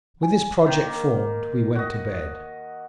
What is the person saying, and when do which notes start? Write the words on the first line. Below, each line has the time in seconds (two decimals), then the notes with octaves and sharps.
With this project formed, we went to bed.
0.23 G#5
0.66 D#3 A#3
1.75 F#4 D#5